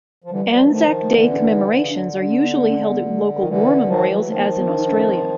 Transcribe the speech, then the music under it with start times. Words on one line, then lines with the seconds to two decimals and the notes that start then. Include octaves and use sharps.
Anzac Day commemorations are usually held at local war memorials as in Australia.
0.24 F3
0.30 D3 E3 G3
0.51 F3 G3
0.61 E3 F#3
0.70 D#3 F3 A3
1.02 A3
1.09 D3 E3 A#3
1.21 B3
1.30 C#4
1.40 D4
1.50 D#4
1.81 C#3
1.89 D3 D4
2.21 D4
2.29 C#4
2.42 B3
2.55 B3
2.69 C#4
2.78 C4
2.89 B3
3.04 A#3
3.09 A3
3.36 D#3
3.47 D3 E3 G#3
3.82 E3
3.87 D#3 F3 G3
3.97 F#3
4.07 E3 F#3 G3
4.27 D#3 F3 A3
4.38 A#3
4.57 B3
4.67 D4
4.77 D#4
4.87 D4
4.96 C#4
5.07 C4